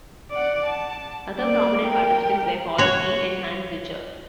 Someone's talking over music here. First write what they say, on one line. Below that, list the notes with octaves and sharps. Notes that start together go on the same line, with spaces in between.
Other prominent participants were Paul Klee and Hans Richter.
D5 F#5
A5
A#3 D5
A#4 G5
F#4 C#5